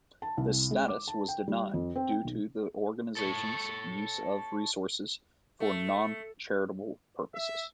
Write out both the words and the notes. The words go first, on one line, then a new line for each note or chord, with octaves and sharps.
This status was denied due to the organization's use of resources for non-charitable purposes.
A5
C2
G#3
D6
A5
G5
G3
F2
C4
G5
B1
A4 C#5
A3
E5